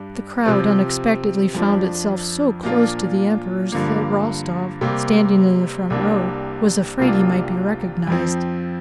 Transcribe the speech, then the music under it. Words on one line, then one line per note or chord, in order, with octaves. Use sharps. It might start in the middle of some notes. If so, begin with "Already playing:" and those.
The crowd unexpectedly found itself so close to the Emperors that Rostov, standing in the front row, was afraid he might be recognized.
Already playing: G2 G3 D4
C3 F3 C4
F2 F3 D4
A#2 F3 A#3 D4 F4
G2 D3 F3 A#3
C3 G3 A#3
C2 C3 A#3 D4
C2 C3 A#3 D4 F4
F2 F3 C4